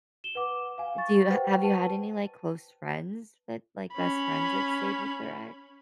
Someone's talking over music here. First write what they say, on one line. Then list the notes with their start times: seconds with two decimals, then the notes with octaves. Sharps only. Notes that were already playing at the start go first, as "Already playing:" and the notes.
eh, do you ha have you had any, like, close friends that, like, best friends that stayed with their ex?
0.24 E7 G7
0.35 B4 F#5 D6
0.78 F5 G#5
0.98 C#6 A6
1.30 G4 B4 C5 F#5 G5
1.63 B4 A5 D#7
3.94 C#4 B5